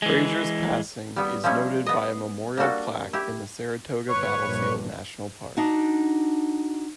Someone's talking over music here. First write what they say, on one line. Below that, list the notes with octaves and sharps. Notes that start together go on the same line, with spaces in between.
Fraser's passing is noted by a memorial plaque in the Saratoga Battlefield National Park.
E3 G#3
G3 B3
F3 G3 C#4 E4
B3 D#5
G3 A#3 D4 F#4 A4
E4 G4
G1 B4 C#5 C#6
A#1 G2
D4 D#4 F#4